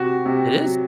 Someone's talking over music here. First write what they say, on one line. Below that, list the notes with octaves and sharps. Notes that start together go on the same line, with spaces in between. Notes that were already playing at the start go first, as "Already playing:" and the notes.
It is.
Already playing: C3 F#4
C3
F#3